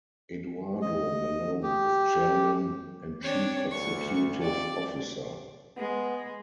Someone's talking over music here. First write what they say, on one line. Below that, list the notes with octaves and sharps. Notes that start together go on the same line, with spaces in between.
Eduardo Malone is Chairman and Chief Executive Officer.
D#5
G4
C4 D4 C#5
D2 C#6
F2 D5
G#3 B3